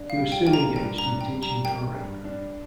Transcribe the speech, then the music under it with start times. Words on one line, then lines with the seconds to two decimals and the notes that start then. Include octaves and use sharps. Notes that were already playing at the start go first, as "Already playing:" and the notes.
He was soon engaged in teaching drawing.
Already playing: D4
0.10 F5
0.17 G3
0.32 G5
0.46 A#3 G5
0.53 A#5
0.76 G2 G5
0.98 A#5
1.05 D4
1.21 G5
1.35 G3
1.43 A#5
1.65 A#3 G5
1.95 G2
2.24 D4